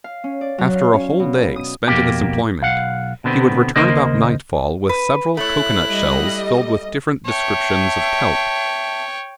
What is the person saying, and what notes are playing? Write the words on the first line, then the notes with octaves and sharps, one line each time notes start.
After a whole day spent in this employment, he would return about nightfall with several cocoanut shells filled with different descriptions of kelp.
F5
C#4
D5
F#3
F5
C#4
B2
D#6
F2 B2 A#3 G4
B1 F5 F#5
B2 D3 B3 C4
D#2 C#3 A#3 A#4 C5 D#5
B4
A3 E4 C#5 F#6
G3 D#5
C#5 E5 G5 A5